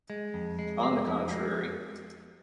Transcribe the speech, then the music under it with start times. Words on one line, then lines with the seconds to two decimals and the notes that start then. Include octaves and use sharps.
On the contrary.
0.10 G#3
0.34 F2
0.59 G#3
0.83 G#3
1.07 F2
1.31 G#3